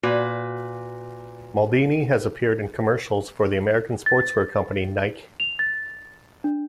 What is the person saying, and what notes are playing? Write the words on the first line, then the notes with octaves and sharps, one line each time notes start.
Maldini has appeared in commercials for the American sportswear company Nike.
A#2 F#4 B4
A6
F7
A6
D4